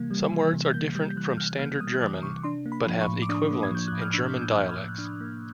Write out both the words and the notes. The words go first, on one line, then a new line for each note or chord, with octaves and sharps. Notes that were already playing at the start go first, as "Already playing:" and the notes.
Some words are different from Standard German but have equivalents in German dialects.
Already playing: C3 E3 G3 A#3 G#6
G3
E3
C3
A#3 G6
G3 G6
G6
E3 F#6
C3 F6
A#3 F6
G3 D#6
E3 D6
C3 C#6
D4 C6
A#3
B5
F3
C#6
A2
D6
D4 D#6
A#3
G#6
F3 G6
A2 F#6
F6
D4 E6
A#3
G6
F3
F6
A2
F#6
D4 F6
A#3